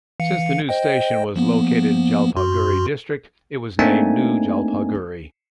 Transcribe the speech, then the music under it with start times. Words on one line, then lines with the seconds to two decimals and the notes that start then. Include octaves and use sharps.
Since the new station was located in Jalpaiguri district, it was named New Jalpaiguri.
0.20 E3 F5 C#7
0.69 C5 D#5 G5
1.36 F3 A#3 B3
2.36 F#2 F#4 C6
3.79 A3 A#3 C4 D4 D#4 G#5